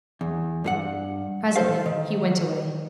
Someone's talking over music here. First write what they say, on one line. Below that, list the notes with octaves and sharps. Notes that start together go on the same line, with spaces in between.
Presently he went away.
E2
G2 G#4 F#5
A4 C5 F5
D#3